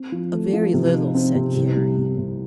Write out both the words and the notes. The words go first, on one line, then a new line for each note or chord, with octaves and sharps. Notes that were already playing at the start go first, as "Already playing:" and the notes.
"A very little," said Carrie.
Already playing: C4
F3
A3
F3
C3
D#4
C4
C3
C2
G3
C3
C3